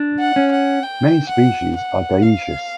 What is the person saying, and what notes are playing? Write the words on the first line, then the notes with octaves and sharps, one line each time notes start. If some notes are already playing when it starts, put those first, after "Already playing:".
Many species are dioecious.
Already playing: D4
F#5
C#4
F#5
G5
F#5
F#5
F5